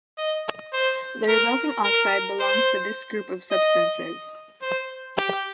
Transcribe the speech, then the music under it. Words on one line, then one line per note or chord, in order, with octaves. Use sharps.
The resulting oxide belongs to this group of substances.
D#5
C5
A#4
A#4
C5
D#5
C5
G4